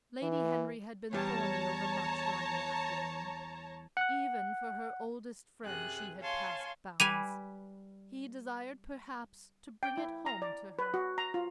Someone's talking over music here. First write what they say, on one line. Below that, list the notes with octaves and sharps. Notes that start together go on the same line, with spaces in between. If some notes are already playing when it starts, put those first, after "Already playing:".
Lady Henry had been thorny over much during the afternoon; even for her oldest friend she had passed bounds; he desired perhaps to bring it home to her.
E3
E2 G3 C#5 A5 A#5
F#5 F#6
F#2 C3 G#4 F#6
C#5 F5 G#5 A5 C6
G3 B4 G#5 D#7 F7
G5
E4
A#5
D5
B4
F#4
A#5
F4